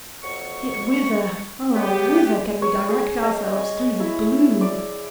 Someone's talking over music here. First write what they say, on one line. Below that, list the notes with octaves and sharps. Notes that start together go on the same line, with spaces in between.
Yet, whither--oh! whither, can we direct ourselves through the gloom?
F2 F#3 C#6
C#3 B3 G4
C#5
G#4
D#5
G#5
E4
D5